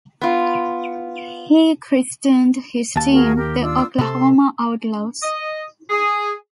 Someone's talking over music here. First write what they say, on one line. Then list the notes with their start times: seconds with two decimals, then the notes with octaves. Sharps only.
He christened his team the Oklahoma Outlaws.
0.21 B3 F4
2.96 D#2 A5
3.12 F#4 G#4 A#4
3.37 G4 A#4
3.62 D4 F4 E6
3.98 C3 A4 C6
5.23 D#5
5.90 G#4